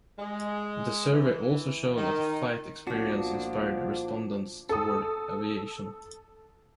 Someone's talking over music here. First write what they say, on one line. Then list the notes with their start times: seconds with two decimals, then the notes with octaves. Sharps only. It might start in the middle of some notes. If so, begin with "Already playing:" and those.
The survey also showed that a flight experience inspired respondents toward aviation.
0.18 G#3
1.12 E3
1.97 D#3
2.87 C2 A#2 F3 A#3 B3 D4 F#4
4.69 A4 D#6